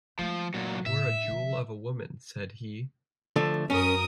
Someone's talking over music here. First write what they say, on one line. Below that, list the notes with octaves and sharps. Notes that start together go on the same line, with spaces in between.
"You are a jewel of a woman," said he.
F3 G#3 A3
A#2 F#3
A2 E5
D3 F3
D3 F3 A3
F#2 C#4 A#4 D#6